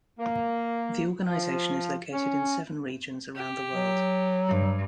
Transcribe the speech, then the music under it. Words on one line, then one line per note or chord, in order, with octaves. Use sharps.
The organization is located in seven regions around the world.
A#3
F3
C#4
G4
F#3
G2